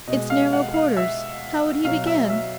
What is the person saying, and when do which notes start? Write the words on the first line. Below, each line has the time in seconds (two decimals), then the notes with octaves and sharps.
It's narrow quarters; how would he begin?'
0.07 B2 D#5
0.13 G#3
0.30 F5
0.53 F#5
0.74 F5
0.97 E5
1.84 B2 F#3 F5
2.06 E5
2.29 E5